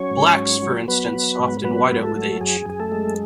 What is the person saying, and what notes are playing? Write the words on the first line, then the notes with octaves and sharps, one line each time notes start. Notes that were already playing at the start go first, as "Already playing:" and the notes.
Blacks, for instance, often white out with age.
Already playing: F#3 C#4 C#5
G#2
F#3
F#3
F#3 B3 B4
F#3
G#2
F#3 B3 B4
G#2
A3 A4
F#3
F#2 G#4
F#2 G#4
A3 A4
G#3